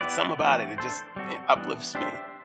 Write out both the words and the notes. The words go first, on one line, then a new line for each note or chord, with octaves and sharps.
It's something about it, it just, eh, uplifts me.
B3 E4 G4 B4 D5
E3 A3 C4 F#4
D4 A4 C5
G3 C4 F#4 A4
E3 G3 B3 D4
D4 G4 C5 E5